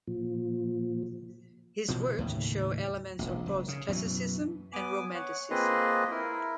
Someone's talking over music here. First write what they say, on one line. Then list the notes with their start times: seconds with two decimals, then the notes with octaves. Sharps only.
His works show elements of both classicism and romanticism.
0.07 A#2 F3
1.88 B2 E3 F3
2.19 D#2 A2 C#3
3.19 E1 A#1
3.46 F#1
3.68 C#3
3.88 F#2 B2 D#3 E3
4.73 B3 G#5 D6
5.14 C#5 F#5
5.50 A#3 C4 F4 G#4 B4 D#5
6.11 E4 A#4